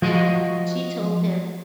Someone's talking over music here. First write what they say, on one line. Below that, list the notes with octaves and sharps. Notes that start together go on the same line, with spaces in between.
and she told him,
F3 F#4 D#5